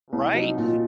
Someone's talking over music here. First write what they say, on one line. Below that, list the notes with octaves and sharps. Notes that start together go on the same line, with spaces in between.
Right, mhm.
C2
F#3 D#4
A#2